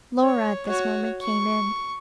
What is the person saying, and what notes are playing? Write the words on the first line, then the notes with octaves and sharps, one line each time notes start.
Laura at this moment, came in.
C#5
F#4 C#5
C#6